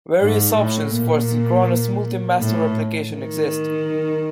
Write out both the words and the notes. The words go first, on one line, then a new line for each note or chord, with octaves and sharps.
Various options for synchronous multi-master replication exist.
G#2
A2
A#2
A2
D#3